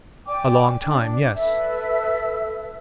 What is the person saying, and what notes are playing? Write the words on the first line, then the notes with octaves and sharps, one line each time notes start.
"A long time--yes."
D5 G5 G#5 D6
D4
A4 B4 E5 E6